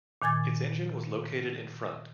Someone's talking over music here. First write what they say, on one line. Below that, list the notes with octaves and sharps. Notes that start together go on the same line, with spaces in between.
Its engine was located in front.
A#2 D#3 G#5 G#6 A6